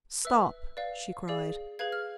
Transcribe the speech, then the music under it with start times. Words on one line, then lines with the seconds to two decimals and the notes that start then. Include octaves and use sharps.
"Stop!" she cried.
0.25 B4 E5 E6
0.77 B4 D5 F5
1.28 G#4 D5 F5
1.79 G#4 B4 F5 G#6
1.92 F6